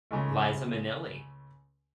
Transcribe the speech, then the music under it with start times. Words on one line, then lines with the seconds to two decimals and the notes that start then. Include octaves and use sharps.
Liza Minnelli.
0.11 C#2 C#3 G#3 A3